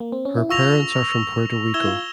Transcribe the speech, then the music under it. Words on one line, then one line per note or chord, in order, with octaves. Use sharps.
Her parents are from Puerto Rico.
A#3
C4
C#4
E4
F4 C#6 E6 A#6 F7
E4 E6 G#6 E7 G7
F4